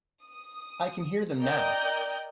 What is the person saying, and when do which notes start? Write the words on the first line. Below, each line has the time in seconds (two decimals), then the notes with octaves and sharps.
I can hear them now.
0.24 D#6
1.41 A#4 D5 D#5 G5 G6